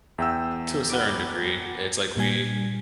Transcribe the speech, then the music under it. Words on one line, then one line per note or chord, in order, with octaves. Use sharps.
To a certain degree, it's like we
E2 E5 F#5 G5 E6
F#5 B5 D6
A#2 G3 G#5